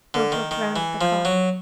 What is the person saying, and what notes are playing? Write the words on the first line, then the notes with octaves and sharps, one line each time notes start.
Both looked round at the cot.
D3
D#3
D#3
E3
F3
F#3